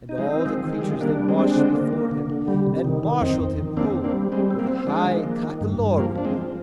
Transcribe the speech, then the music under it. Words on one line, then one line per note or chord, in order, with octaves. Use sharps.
And all the creatures they marched before him, And marshalled him home with a high cockolorum.
D#4
F3 G#3
C4
D#3 F3 G#3
D#3
G#3
D#3 G3
F3 G#3
G3 A#3 D4
G3
G#3 C4
D4
D3
A#3
A#3
D3
D3
G3
C3
D#3
D#3
F2 C4 D#4
F2
D#3
A#3 C4 D4
C4
A#3 D4
G3
G3 G#3 C4
C4
G3 A#3
C4
F3 G#3 D4
D#3
A#3
D#3
G2
G2
F3 G3 A#3
F3 D4
G#3 C4
F3